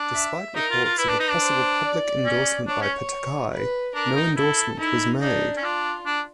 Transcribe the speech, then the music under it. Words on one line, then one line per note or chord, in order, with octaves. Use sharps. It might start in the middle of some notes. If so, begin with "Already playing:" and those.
Despite reports of a possible public endorsement by Pataki, no endorsement was made.
Already playing: D4
E5
D#4 A#4
F4
F4
E4 B4
D4
D#4
D4
C5
D5
C#4
D4 C#5
C#4
B4
D4 A#4
D#4
E4 A4
D#4 E4
D4 D#4
C#4
D4 F4
D4